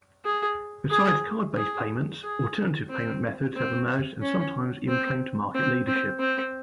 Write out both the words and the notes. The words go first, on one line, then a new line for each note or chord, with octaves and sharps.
Besides card-based payments, alternative payment methods have emerged and sometimes even claimed market leadership.
G#4
G#4
G#4
G#4
C4
C4
C#4
C4
C4
C4
C4